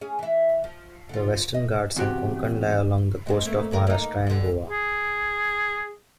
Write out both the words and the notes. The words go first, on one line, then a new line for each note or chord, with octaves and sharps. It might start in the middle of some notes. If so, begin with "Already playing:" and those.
The Western Ghats and Konkan lie along the coast of Maharashtra and Goa.
C#4 G#4
E3 E4
F3
D3 F4
D#5
E2 C3 F#4 G4
F2 G#2 G#3
A3 A#3
D#2 C#3 A#4
A#3 D#4
G2 D3
G#4